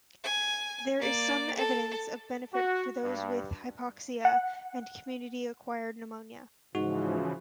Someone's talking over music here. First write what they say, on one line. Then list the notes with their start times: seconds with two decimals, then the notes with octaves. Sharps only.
There is some evidence of benefit for those with hypoxia and community acquired pneumonia.
0.24 G#5
0.99 A#3 D5
1.55 A4
2.52 F#4
3.04 G2
4.25 F#5
6.75 G#2 C#3 E3 F3 F#4